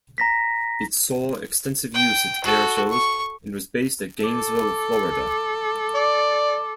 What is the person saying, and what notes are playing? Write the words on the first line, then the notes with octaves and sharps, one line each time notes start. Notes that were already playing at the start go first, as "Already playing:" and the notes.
It saw extensive use at air shows, and was based at Gainesville, Florida.
A#5 A#6 B6
G5
F#4 A4
C#6
A4 D6
D5